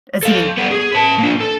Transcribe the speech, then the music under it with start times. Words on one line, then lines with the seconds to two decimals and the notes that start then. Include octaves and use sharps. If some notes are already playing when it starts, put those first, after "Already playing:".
Is he
0.23 A4 F5
0.58 G3 B3
0.71 G#4
0.92 B4 A5
1.19 A#3 D4
1.41 A4